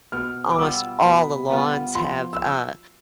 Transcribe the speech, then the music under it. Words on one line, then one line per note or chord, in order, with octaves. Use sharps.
almost all the lawns have, uh,
B2 F6
D6
G3 B3 F4 E6
B2 B5
G3 B3 F4
F3 C6
E6